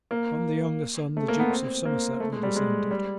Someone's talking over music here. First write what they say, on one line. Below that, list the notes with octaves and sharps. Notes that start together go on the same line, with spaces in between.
From the younger son the Dukes of Somerset were descended.
A#3
A3
A#3
B3
C4
A#3
A3
G#3
G3
G#3
G3